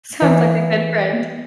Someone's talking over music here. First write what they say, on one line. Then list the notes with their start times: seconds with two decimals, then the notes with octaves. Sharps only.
Sounds like a good friend.
0.22 E3